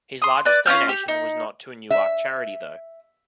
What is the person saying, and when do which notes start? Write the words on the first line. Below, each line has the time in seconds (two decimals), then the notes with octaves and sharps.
His largest donation was not to a Newark charity though.
0.22 C6 D#6
0.45 B4 D5
0.66 C#4 F4 F6 G6
0.89 G4
1.08 D#4
1.90 E5